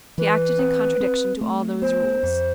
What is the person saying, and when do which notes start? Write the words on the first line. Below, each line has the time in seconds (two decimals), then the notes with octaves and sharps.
She acted in contradiction to all those rules.
0.18 E3 B4
0.59 C4
1.00 C4
1.41 A3
1.82 B3 C5
2.23 F2